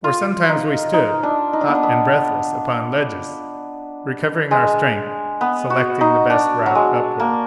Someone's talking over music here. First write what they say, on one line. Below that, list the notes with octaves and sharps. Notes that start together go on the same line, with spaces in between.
Or sometimes we stood, hot and breathless, upon ledges, recovering our strength, selecting the best route upward.
F4
D#4
D#4
D4
D#4
D4
B3
D4
B3
G#3
B3
F#4
D#4
D4
F#3
G#3
A#3